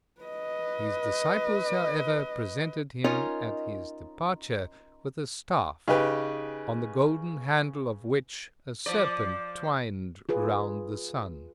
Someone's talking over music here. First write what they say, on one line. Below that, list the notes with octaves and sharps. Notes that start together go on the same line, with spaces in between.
His disciples, however, presented him at his departure with a staff, on the golden handle of which a serpent twined round the sun.
B4 D#5
C#4 D#4 F4 A#4 C#5 D#5
C#3 D#4 G4 B4
F3 D5
F4 G#4 B4